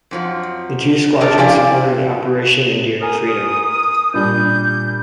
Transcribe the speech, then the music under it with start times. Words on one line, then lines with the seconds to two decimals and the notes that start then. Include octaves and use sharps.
The two squadrons supported Operation Enduring Freedom.
0.11 F2 F3 F#3
1.21 D4 G#4 A#4 C#5 D5
1.38 F3 E4 G4 D5 F5 G#5
3.01 A#4 G#5 D#6
4.14 A#2 G3 D4 G6